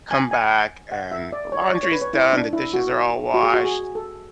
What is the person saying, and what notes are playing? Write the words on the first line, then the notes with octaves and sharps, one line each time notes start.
come back, and the laundry is done, the dishes are all washed,
G#5
G#5
F#5
E5
D5
C#5
D5
C#5
C#5
B4
C#5
E4
D4
E4
F#4
F#4
G#4
F#4
G#4
A4